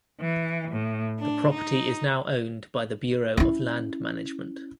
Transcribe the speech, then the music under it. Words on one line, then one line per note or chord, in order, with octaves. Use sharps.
The property is now owned by the Bureau of Land Management.
E3
A2
D4
D#4
C#4 E4